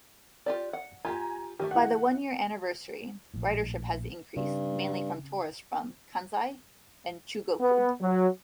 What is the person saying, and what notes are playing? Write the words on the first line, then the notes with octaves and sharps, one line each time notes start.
By the one-year anniversary, ridership had increased, mainly from tourists from Kansai and Chugoku.
F4 G4 D5
F#5
F4 G4 G#5 A#5
D#3 G#3 A3 G4
E4 F#5
A#1 A2
G2 C#3 C4
B3
F#3